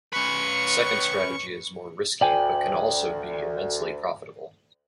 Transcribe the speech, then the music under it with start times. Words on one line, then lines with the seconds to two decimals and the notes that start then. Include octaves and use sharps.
The second strategy is more risky, but can also be immensely profitable.
0.13 C#4 B4 C#6
2.21 D2 D5 G5 G#5